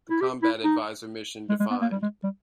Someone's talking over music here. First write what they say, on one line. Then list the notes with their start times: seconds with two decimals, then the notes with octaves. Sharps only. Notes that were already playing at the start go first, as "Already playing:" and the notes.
The Combat Advisor Mission Defined.
0.10 E4
0.21 G4
0.43 E4
0.64 D#4
1.50 G#3
1.60 G#3
1.71 B3
1.82 A#3
1.92 G3
2.02 G#3
2.24 G3